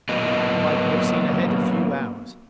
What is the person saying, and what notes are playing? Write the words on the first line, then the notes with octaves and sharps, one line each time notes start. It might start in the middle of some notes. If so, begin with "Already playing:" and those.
If I could have seen ahead a few hours!
F#3 A#3 B3 A#4 B4 D#5